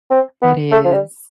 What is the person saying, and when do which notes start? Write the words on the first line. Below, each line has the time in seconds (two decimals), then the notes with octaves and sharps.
It is,
0.11 C4
0.42 B3
0.72 A3
0.85 F3
0.93 G3